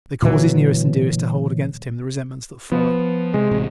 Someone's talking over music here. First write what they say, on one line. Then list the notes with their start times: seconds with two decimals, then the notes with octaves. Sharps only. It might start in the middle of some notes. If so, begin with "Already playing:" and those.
They cause his nearest and dearest to hold against him the resentments that follow.
0.22 A#2 D3 E3 F#3
2.72 F3 B3
3.34 C3 G#3
3.51 A1 C3